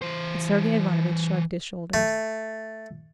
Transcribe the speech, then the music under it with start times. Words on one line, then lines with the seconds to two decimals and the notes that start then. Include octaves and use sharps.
But Sergey Ivanovitch shrugged his shoulders.
0.02 E3 C5
1.94 A3